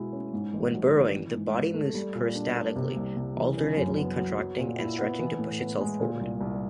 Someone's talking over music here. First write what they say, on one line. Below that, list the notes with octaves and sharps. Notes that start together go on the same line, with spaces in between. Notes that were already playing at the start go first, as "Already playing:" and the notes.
When burrowing, the body moves peristaltically, alternately contracting and stretching to push itself forward.
Already playing: B2 G#3 E4
C#4
G#2
A1
F#3
D#3
E3
G#2
G#2
A3
G3
A#2
D4
A#3
C3
C2
C2
E3
C#3
F#2
B3
F#3
F#3
A#2
E4
B3
E3
A2
B3
G#3
A#2
C2
C2